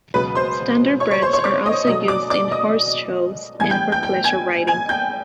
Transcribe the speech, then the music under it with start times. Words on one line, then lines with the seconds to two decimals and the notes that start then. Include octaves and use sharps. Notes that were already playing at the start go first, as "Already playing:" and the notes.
Standardbreds are also used in horse shows and for pleasure riding.
0.14 C#2 B2 F#3 B4 B5
0.35 C5 C6
1.00 C#5 C#6
1.11 C#5 C#6
1.22 C5 C6
1.33 C#5 C#6
1.44 D5 D6
1.66 D#5 D#6
1.87 B2 F#3 A3 D#5 D#6
2.08 D5 D6
2.30 D5 D6
2.51 D#5 D#6
3.59 A2 E3 G3 B3 G#5 G#6
3.70 G5 G6
3.92 G5 G6
4.03 G5 G6
4.24 G#5 G#6
4.67 G#5 G#6
4.89 G5 G6